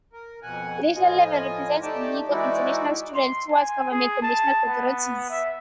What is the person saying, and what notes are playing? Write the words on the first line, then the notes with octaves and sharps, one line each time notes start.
The national level represents the needs of international students towards governments and national authorities.
A#4
F2 B2 F#5 G#5
A2 F3 F4 D#5 G#5
A3 D#4 G4 D5 G5 A5
E3 G#3 D#4 E4 F#4 D5
C6
G#5
G#4
A5
B3
E5